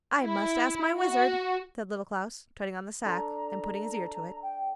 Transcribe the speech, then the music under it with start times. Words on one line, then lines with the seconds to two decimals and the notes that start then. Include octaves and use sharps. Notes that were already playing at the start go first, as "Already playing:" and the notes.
'I must ask my wizard,' said Little Klaus, treading on the sack and putting his ear to it.
0.23 E4
0.98 F#4
3.05 D4 A4 A#5
4.42 G5